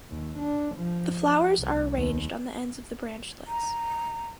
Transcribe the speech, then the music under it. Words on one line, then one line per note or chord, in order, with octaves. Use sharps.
The flowers are arranged on the ends of the branchlets.
D#2
D4
F3
C2
D#2
A#5